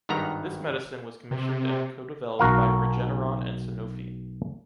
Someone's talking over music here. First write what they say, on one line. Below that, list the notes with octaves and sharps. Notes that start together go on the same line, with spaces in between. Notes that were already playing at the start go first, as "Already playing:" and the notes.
This medicine was commissioned and codeveloped by Regeneron and Sanofi.
G#1 G2 D#3 B3 A#5
C3
B1 F#4 A#4 F5